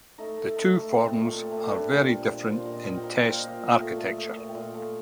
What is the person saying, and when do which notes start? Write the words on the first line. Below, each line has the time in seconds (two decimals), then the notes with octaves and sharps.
The two forms are very different in test architecture.
0.18 A3 D#4
0.37 A3
0.57 A3
0.76 A3
0.95 A3 C4
1.13 A#2
1.32 A3
1.52 A3
1.70 G3 D4
1.89 A#2
2.08 A#2
2.28 A#2
2.46 A#2 C5
2.65 A#2
2.71 D#5
2.84 A#2
2.97 G5
3.03 A#3
3.22 A#2 G5
3.31 F5
3.39 A#2 D#5
3.48 F5
3.60 A#2
3.79 A3
3.98 A3
4.18 A3
4.36 A#2
4.49 G5
4.55 A#2
4.74 A3 F5